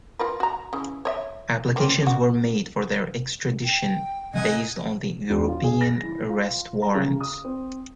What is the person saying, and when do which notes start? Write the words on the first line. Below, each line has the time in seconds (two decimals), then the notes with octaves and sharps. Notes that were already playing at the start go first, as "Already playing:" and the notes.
Applications were made for their extradition based on the European Arrest Warrants.
0.19 F4 A#4 B4
0.40 F#4 A#5
0.73 C#3 E3
1.05 C#5 D#5 E5
1.76 A#3 C4 C#4
2.02 D4 F#4
3.64 G5
4.34 C3 D#5 F#5 G#5
5.30 E1
5.47 F4
5.64 G#4
5.81 A#6
6.03 E4
6.29 F4
6.82 A#5
6.95 C#3
7.21 D#6
7.45 C4